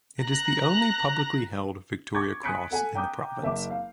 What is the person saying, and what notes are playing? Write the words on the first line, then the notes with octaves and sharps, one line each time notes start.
It is the only publicly held Victoria Cross in the province.
A#5 F#6 A#6
C#6 D6 G#6 A6
G#5 D#6 F#6 B6 C#7 D7
A4 F#5 G#5
G5 A#5 D6 D#6 G6
F#1 E5 D6
F5